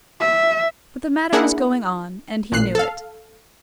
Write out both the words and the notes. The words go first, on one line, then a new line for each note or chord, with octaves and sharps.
But the matter was going on, and he knew it.
E5
A#3 D4 E4 G#4 A#4 F#5
A1 A#2 F#6 C7
A4 F5